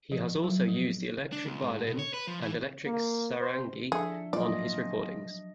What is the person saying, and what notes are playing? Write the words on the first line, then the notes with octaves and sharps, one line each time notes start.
He has also used the electric violin and electric sarangi on his recordings.
F3
F#3
F3
D4
C#2
G#2
B2
C#5
B4
F3
E3
A#3
C5
F3 D4 G#4 A4 E5
A#2 F3 F#3 D5 D#5